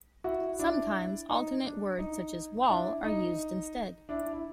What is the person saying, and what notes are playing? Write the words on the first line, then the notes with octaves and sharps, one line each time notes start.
Sometimes alternate words, such as "wall," are used instead.
E4 F#4
D4 E4
D#4
D4
D#4
D4 E4
D#4
D4 E4
E4